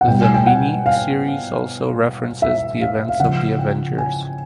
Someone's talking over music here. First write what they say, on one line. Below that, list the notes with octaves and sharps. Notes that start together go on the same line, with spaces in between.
The miniseries also references the events of "The Avengers".
F#5
B2 G3 G5
G#5
G5
F#5
F5
E5
F5
F5
C#3 F3 F#5
G5
G#5